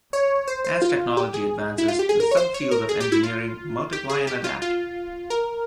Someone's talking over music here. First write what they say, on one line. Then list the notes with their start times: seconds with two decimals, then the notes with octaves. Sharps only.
As technology advances, the subfields of engineering multiply and adapt.
0.13 C#5
0.48 C5
0.64 C5
0.82 F4
1.17 G4
1.34 G#4
1.78 E4
1.88 F4
1.99 G4
2.09 G#4
2.20 A#4
2.31 C#5
2.37 C5
2.54 C#5
2.71 A#4
2.89 G#4
3.00 G4
3.12 E4
3.24 F4
3.93 G4
4.10 G#4
4.27 G4
4.44 F4
4.62 F4
5.30 A#4